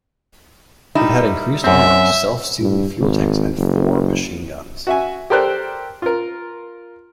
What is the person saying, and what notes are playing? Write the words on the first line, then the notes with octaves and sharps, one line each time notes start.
It had increased armor, self-sealing fuel tanks, and four machine guns.
G3 D#4 E4
F#2 C4 E5
G2
G#1
F#1
F#4 E5 G#5
G4 A4 A#4 C5 D5 F#6
F4 A#4